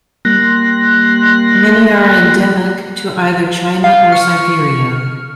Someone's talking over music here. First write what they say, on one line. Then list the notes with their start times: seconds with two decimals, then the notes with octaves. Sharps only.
Many are endemic to either China or Siberia.
0.25 G3 A#3 C6 F#6 A#6
3.84 F4 F5
4.12 C#6 F6